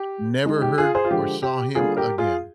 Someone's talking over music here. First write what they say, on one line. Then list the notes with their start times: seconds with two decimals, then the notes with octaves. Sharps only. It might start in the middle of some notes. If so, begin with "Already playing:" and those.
never heard or saw him again.
Already playing: G4
0.46 D#3 G#3
0.62 G4
0.78 F4 G#4
0.95 G#4 C5
1.05 F4
1.11 D3 F3 G#3 G4
1.43 G4
1.75 D3 G3 A#3 F4 G#4
1.97 G4 A#4
2.18 F4 G#4